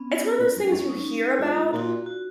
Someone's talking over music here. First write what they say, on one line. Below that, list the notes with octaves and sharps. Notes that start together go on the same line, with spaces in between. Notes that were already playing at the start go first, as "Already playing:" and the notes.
it's one of those things you hear about,
Already playing: B3 C#4
A#2
F#2
G#2
F#2 C#4
D#4
G#2 F4
G#2
A#2 F#4
F#4